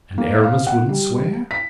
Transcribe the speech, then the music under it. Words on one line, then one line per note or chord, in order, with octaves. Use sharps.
"And Aramis wouldn't swear?"
A#3
F5
F#5
G3
B6